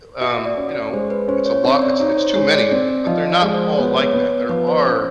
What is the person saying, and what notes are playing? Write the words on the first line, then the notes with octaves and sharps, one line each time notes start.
y um, you know, it's a lot it's it's too many, but they're not all like that. There are
F#4 E5
D5
C#4
D5
G#3 C5
B4
C#4 C5
C#5
C4 C#5
D5
D#4 C#5
C5
G#3 C#5
D5
C4 D5
D5
F3 D#5
D5
G#3
C5
B3 C#5
C#5
B3
B4
F3 B4
C5
C#4 C5